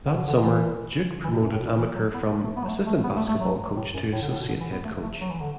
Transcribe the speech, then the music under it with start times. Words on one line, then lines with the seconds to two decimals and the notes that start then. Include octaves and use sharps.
That summer, Duke promoted Amaker from assistant basketball coach to associate head coach.
0.06 D3
0.16 B2
0.27 D3
0.40 E3
1.24 E3
1.33 B2
1.42 F#2
1.51 A2
1.60 B2
1.78 E3
1.96 F#3
2.14 B3
2.32 A3
2.44 A3
2.56 B3
2.64 F#3
2.68 A3
2.86 A3
3.04 B3
3.16 A3
3.28 A3
3.40 F#3
3.76 A2
3.94 F#2
4.12 A2
4.21 D3
4.30 A2
4.39 B2
4.49 D3
4.60 E3
4.72 B3
4.84 A3
5.02 A3
5.20 F#3
5.30 E3
5.40 D3